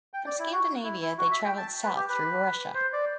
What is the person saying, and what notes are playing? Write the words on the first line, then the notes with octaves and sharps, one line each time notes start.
From Scandinavia they travelled south through Russia.
G5
D5
E4
F#4
E4
E4
F#4
E5
G5
A5
B4
G4
B4
C5
D5